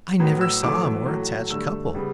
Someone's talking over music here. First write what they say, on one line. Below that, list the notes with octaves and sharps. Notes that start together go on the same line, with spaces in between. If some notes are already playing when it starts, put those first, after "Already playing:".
I never saw a more attached couple.
A2 F#3 B3
E6
F#2 E3 A3 D6
A2 F#3 A3
G2 D3 A3 E6
C#3 G3 B3